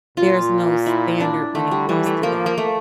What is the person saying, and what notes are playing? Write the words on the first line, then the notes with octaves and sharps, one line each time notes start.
there's no standard when it comes to that.
A#2 F4
E4
D4
D3 A3
G3
E3 G3
A3
F3 A#3
A#3
A3